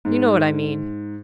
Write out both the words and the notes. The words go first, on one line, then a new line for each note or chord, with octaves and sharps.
"You know what I mean."
G#2